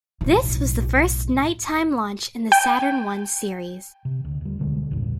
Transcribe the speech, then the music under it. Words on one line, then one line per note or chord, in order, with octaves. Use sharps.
This was the first nighttime launch in the Saturn One series.
B1 A2
G5
C3
D2
D#2 G3
C#2 B2 D3 G#3
A#1 E2 G2 A#2